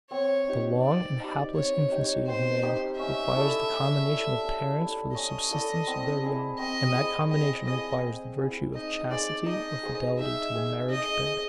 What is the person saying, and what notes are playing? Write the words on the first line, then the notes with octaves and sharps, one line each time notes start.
The long and helpless infancy of man requires the combination of parents for the subsistence of their young; and that combination requires the virtue of chastity or fidelity to the marriage bed.
C4 C#5
D#4 G4
C4 D5
D#4 G4
C4 C#5
D#4 G4
C4 C5
D#4 G4
C#4 E5
E4 A4 D5
C#4
E4 A4 D5
C#4
E4 A4 D5
C#4 D#5
E4 A4 D5
C4
E4 G#4
C4 D#5
E4 G#4
C4 D#5
E4 G#4 D#5
C4
E4 G#4
D#4 D#5
G#4 C5 D5
D#4 D#5
G#4 C5
D#4 E5
G#4 C5
D#4 D#5
G#4 C5